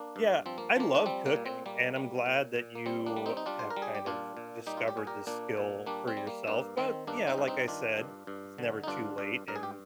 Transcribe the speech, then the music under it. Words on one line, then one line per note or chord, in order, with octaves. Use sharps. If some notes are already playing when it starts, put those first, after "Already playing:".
Yeah, I love cooking, and I'm glad that you have kind of discovered this skill for yourself, but, yeah, like I said, it's never too late, and,
Already playing: A#3 D4
G2
F3 C4
A#3
F3 A#3
D4
G3 C4
A#3
A#2
C4
G3 A#3
G3
A#2
A#2
A#3
G3 C4
A#3 D4
G3
C4 D#4
D#4
G3 D4 F4
C5
A#4
G3
G#4
G4
A#2 D4 F4
A#2
G3 D#4 G4
F4
G4
A#2 G#4
G4 A#4
A#2 A#3 D4
A#2
G3 A#3 D4
C4
G3
A#3
G2 A#3
D#3 C4
G2 A#3 D4
C4 D#4
G2
C4 D#4
D#3 D4 F4
G2
G2
D3
D#4
G2 D4 F4
G2
G2 A#4
G#4
G4